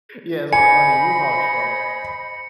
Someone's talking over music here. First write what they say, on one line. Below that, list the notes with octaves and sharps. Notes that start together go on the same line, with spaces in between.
Yes, on on a U-Haul truck,
C5 D#5 G#5 B5 C#7